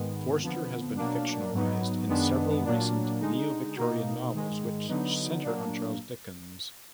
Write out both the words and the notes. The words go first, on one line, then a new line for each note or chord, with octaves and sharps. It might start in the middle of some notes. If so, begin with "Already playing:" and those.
Forster has been fictionalised in several recent neo-Victorian novels which centre on Charles Dickens.
Already playing: G#2 D#3 G#3 B3
F2 D3 F3 B3
B2 F#3 A#3 D4
G#2 F#3 B3 D#4
F#2 D#3 G#3 B3 D4
A#2 F#3 A#3 D4
D3 G#3 D#4
B2 A#3 D#4
G#2 D#3 G#3
D3 F#3 B3 D#4
A#2 F#3 A#3 D4